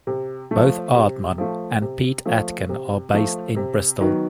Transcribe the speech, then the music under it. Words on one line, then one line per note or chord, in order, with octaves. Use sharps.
Both Aardman and Pete Atkin are based in Bristol.
C3
A3
F3
C3
F3 A3
C3
F3 A3
C3
F3 A3
C3
D#3 F#3 B3